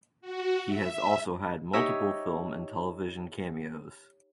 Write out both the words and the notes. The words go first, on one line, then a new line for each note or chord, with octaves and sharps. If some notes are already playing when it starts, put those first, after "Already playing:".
He has also had multiple film and television cameos.
F#4
E5
D#4 G4 C#5 D#5 E5